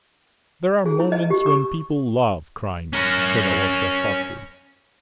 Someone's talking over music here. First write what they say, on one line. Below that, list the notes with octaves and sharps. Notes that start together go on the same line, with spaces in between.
"There are moments when people love crime," said Alyosha thoughtfully.
G#4
E4
D#5
G4
C#6
C#4 A#4